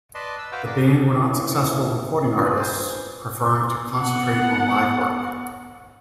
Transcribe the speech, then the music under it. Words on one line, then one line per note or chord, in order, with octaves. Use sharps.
The band were not successful recording artists, preferring to concentrate on live work.
B4 D5 D#5 A5 C6
E6
F#4 B4 C5 F5 F#5 D6
G#4 A#4 D5
E3 F3 A#3 C#4 D#4 E4
C#4 D4 F4 B4
A#4 C5 G#5
B3 F#5